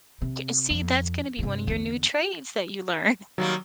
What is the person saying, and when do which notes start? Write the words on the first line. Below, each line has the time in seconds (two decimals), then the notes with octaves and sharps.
J see, that's gonna be one of your new trades that you learn.
0.22 C3
0.70 F2
1.39 G2 C3
1.67 E2 D3
3.38 D#3 F#3 G3 A#3